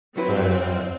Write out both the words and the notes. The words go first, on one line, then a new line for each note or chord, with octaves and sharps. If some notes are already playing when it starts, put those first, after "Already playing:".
But, uh
F#3 C4 E4 B4